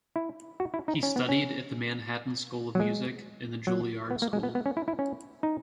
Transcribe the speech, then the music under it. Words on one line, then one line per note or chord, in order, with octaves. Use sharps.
He studied at the Manhattan School of Music and the Juilliard School.
E4
F#4
E4
D#4
C#4
B3
C#4
F#3
G#3
F#3
B3
A#3
G#3
B3
B3
C#4
E4
E4
C#4
D#4